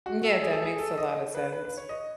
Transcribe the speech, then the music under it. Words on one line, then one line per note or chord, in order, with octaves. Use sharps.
M yeah, that makes a lotta sense.
F#4
A4
G#4
A4
G#4
A4
D#5
B4
B4
B4
C#5
D#5